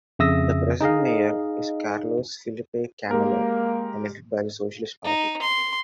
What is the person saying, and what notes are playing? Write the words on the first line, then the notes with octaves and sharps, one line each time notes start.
The present Mayor is Carlos Filipe Camelo, elected by the Socialist Party.
F2 C#3 E5 D#6 E6 A#6
D#4 G#4 D#5 F5
G#3 A#3 G4 A#4
D#4
C6